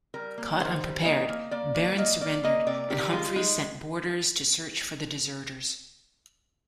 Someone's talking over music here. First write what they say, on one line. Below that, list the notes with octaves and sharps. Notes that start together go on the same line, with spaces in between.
Caught unprepared, Barron surrendered and Humphreys sent boarders to search for the deserters.
G3 A#4
A#3
D#3 C5
G3
A#3 D#5
A#3
A#3 D5
A#3
A#3 D#5
A#3 D5
A#3 D#5
C3 D5
D#3 G4
G#3 F4
G#3 D#4